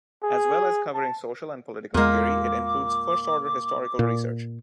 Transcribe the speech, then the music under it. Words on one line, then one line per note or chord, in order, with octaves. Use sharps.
As well as covering social and political theory, it includes first-order historical research.
G#4
A5
E2 A#2 G#3 A#3 D6
A#2